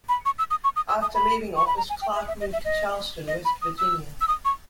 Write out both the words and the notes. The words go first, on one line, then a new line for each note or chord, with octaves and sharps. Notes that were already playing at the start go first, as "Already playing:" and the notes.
After leaving office, Clark moved to Charleston, West Virginia.
B5
C#6
E6
D#6
C#6
D#6
E6
D#6
B5
C#6
B5
A#5
G#5
G5
E5
E5
D#5
E5
D#5
D#5
B5
D#6
E6
E6
D#6
C#6